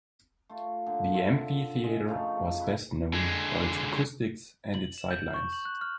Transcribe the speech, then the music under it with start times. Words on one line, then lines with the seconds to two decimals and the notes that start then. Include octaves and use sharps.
The amphitheatre was best known for its acoustics and its sightlines.
0.49 A3 F4
0.86 A#2 D3
1.14 F4 E5 A5
1.84 G#3
2.07 C#3 F3 A3 D#4
2.59 E4 B4 D#5
3.14 D3 G#3
4.74 F#7
4.98 E7
5.11 G6
5.34 C#6
5.53 F#7
5.65 F#6
5.81 F6